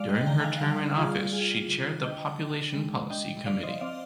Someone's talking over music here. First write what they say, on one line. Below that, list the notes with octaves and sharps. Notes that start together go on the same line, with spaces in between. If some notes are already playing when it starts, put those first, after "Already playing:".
During her term in office she chaired the Population Policy Committee.
Already playing: F3 G#3 D5 F5
D#5 G5
D#3 G5 A#5
F5 G#5
G3 D5 F5
G3 F4 G#4
G3 F4 G#4
D3
D4 D#5 G5
D4
G#3
D4 D#5 G5
F3 D5 F5
C5 D#5
C4 D5 F5